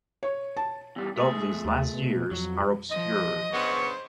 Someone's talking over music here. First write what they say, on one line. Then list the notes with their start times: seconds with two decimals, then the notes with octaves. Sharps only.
Dudley's last years are obscure.
0.23 C#5
0.57 A5
0.96 E2 G3
1.16 A3 G#4
1.65 D#2
1.93 B2
2.31 F2 F#3
2.90 F3 D#5
3.53 G2 C#3 B3 C5 C#6